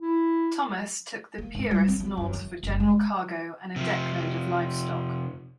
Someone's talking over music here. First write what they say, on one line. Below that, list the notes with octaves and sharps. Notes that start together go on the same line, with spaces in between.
Thomas took the "Peeress" north for general cargo and a deckload of livestock.
E4
A#3
G#2
G3
C4
F#3
F#2
E3
F#1
G#3
C3 F3